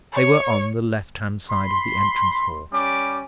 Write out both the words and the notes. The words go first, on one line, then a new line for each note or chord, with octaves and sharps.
They were on the left-hand side of the entrance-hall.
C#5
B5 C6
G3 C#4 D6